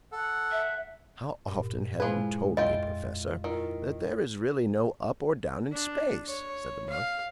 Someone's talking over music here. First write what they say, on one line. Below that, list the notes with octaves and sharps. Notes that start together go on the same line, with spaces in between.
"How often have you told me, Professor, that there is really no up or down in space?" said the monk.
A4 F#5
E5
G2 A#2
F3 G#3 E4 G#4 B4
F2 E4 F4 D#5 G5
D#3 E4 F4
D4
C#5
F5